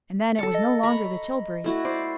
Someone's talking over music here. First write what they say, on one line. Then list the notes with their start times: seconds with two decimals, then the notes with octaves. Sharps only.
And then, it was no longer the tilbury.
0.39 A4 A5 C#7
0.55 D#5
0.83 A#5 B5 C#6
1.64 A3 E4 F#4
1.85 C5 D5